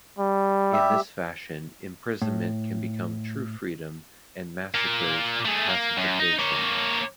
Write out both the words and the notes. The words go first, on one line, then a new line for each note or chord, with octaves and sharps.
In this fashion, imprisonment can become "true freedom", and massacres "pacification".
G3
G4 E5
A2
A#2 A#3
A3 G#4
A#3
F#2
D#4
A#3 C#5